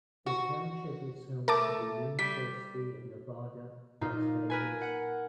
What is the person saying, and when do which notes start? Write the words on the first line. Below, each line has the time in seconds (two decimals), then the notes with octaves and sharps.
The township is home to the University of Nevada, Las Vegas.
0.26 F#4
1.48 A3 A#4 A5 D6
2.19 G3 B6
4.01 A#2 D#4 F4
4.50 A#4 B4 G#5
4.81 F#5